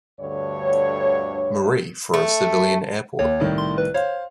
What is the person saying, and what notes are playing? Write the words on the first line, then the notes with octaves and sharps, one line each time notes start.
Marie for a civilian airport.
D2 G2 D3 C#5
A3
D#2 C#5
C2 A2 D#3
C6
B4
C5 C#5 F5